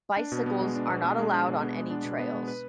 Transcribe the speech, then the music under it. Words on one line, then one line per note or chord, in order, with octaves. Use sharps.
Bicycles are not allowed on any trails.
D4
B2
B3
G#3
D4
B2
B3
G#3
D4
B2
B3
G#3
D4
B2
B3
G#3
B4